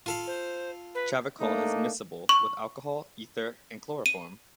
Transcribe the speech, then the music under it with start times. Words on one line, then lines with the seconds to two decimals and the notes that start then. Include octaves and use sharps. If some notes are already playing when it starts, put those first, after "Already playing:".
Chavicol is miscible with alcohol, ether, and chloroform.
0.06 F4 A4 F5
0.27 C5
0.95 B4
1.41 A3 A#3 D4 D#4
2.29 C#6
4.06 D#7